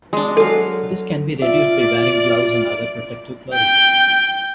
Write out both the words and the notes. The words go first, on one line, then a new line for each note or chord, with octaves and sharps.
This can be reduced by wearing gloves and other protective clothing.
G#3 D4
F#3 A4 F5
F4 D5 E5
G5 G6